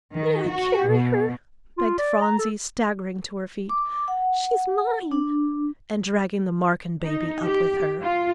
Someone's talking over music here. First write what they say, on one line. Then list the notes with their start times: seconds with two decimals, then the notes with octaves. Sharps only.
"May I carry her?" begged Phronsie, staggering to her feet--"she's mine"--and dragging the Marken baby up with her.
0.14 D#3
0.50 F#4
0.88 B2
1.78 F4
1.98 D5
2.21 A#5
2.39 A4
3.69 D6
4.08 F#5
5.11 D4
7.05 D#4
7.43 G4
8.00 F4